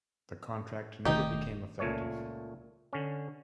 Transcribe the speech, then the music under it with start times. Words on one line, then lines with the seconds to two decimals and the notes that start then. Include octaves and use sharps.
The contract never became effective.
1.05 E1 D#3 A3 D#4 G4
1.79 C#2 A#2 A3 C#5
2.93 D3 C#4